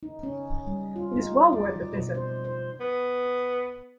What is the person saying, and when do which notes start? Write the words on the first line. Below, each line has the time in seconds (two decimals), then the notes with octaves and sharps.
It is well worth a visit.
0.03 D#4
0.23 C#4
0.67 G3
0.96 F4
1.16 D#4
1.53 D5
1.76 F3
1.93 B2
2.15 C5
2.45 C5
2.81 B3